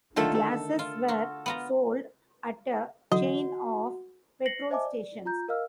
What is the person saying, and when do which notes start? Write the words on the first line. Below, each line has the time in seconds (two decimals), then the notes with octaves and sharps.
Glasses were sold at a chain of petrol stations.
0.16 D3 D#3 A3 F4 A4
0.35 A4
0.79 F4
1.08 F4 F#4
1.46 B3 F4 A#5
3.12 D3 E3 F#3 F#4 D#5
4.46 A#6 C7 C#7 F#7
4.70 C5 D#5 E5 G#5 A5 D6
4.85 D5
5.25 F4 A#5 G6
5.48 A#4 D#5 F5 E6 F6